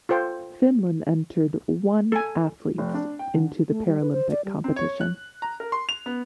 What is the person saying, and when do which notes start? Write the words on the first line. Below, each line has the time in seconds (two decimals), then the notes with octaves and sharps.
Finland entered one athletes into the Paralympic competition.
0.09 F4 A4 C5 G5
2.12 A4 G#5
2.78 F1
2.94 D4
3.19 G5
3.34 D3
3.69 A3
3.86 G3
4.00 B4
4.12 C5
4.31 D5
4.45 G3
4.64 C4
4.76 C#5
5.01 F#6
5.42 A#5
5.60 A#4
5.72 C6
5.89 F7
6.06 B3